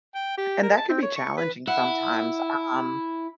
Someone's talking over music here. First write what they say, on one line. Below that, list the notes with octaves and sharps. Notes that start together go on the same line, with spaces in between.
And that can be challenging sometimes. Um,
G5
G4
A#4
A5
C4
C#5
C#6
B4
E4 F#5